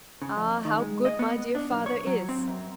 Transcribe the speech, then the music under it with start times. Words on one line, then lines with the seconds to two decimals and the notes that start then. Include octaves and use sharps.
"Ah, how good my dear father is!"
0.22 C#3
0.37 F2
0.65 D#3
0.80 G#3
1.05 D#5
1.19 B3
1.55 D4
1.71 B1
1.86 C#5
2.07 F#3
2.29 C4
2.48 F#2